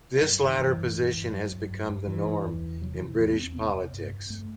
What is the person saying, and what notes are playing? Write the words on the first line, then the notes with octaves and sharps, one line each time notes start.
This latter position has become the norm in British politics.
G2 F#3
G2
D#3
G2 E3
G2
G2
G2
G2 F#3
G2
G2
G2
G2 E3
G2
E2
E2
C3 F#3
E3
C3
E3
E2 E3
B3
E2
C4
C3 B3
C3
G2
G2
G2 A3